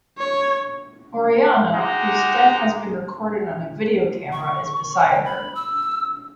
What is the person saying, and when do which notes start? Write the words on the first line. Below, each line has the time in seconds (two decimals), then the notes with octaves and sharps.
Orianna, whose death has been recorded on a video camera, is beside her.
0.18 C#5
1.73 G#3 D#4 F#4 G4 D#5 A#5
4.32 C#6
5.11 G5
5.25 B5
5.55 E6